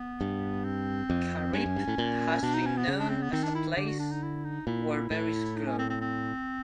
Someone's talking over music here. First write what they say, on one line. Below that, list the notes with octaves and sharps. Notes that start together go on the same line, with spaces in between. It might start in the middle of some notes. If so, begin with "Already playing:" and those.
Caripe has been known as a place where berries grow.
Already playing: B3
G2
C4
F2
G2 C#4
F#2
G2
A2
A#2
B2 D4
D#4
C#4
B3
C#3
D4
C4
B3
D#3 C4
D4
E4
D3 G4
F#4
D4
D#4
E4
D#4
A#2 E4
A2
D#4
C#4
C4
C4
C4